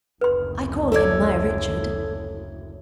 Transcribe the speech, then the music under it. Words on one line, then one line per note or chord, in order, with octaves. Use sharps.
I call him my Richard!
F#1 D2 B4 C6
E4 A4 C#5 D5 G#6